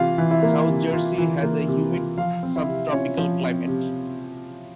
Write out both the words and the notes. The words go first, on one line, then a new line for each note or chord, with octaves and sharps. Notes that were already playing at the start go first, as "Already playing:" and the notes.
South Jersey has a humid subtropical climate.
Already playing: C3 E3 F4 F5
E3
E4 E5
A#3
C3
F4
E3
A#3
C3
F4
F3 F4 F5
C4
E4 E5
C3
C#4 F4 C#5
F3
C4
C3